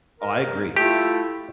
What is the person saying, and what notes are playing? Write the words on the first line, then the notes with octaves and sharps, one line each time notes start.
Oh, I agree.
A#4
A3 E4 F4 G4